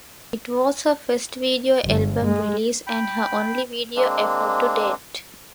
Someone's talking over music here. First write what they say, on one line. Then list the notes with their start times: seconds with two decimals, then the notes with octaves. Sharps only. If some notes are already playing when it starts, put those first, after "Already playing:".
It was her first video album release and her only video effort to date.
1.85 G1
2.24 G#3
2.87 G5 B5
3.96 G#3 A#3 C4 D4